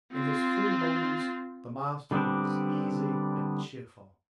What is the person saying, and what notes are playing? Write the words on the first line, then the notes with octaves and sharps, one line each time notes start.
In his free moments the Master was easy and cheerful.
C4 F4
D3 G3 B3 C4 D4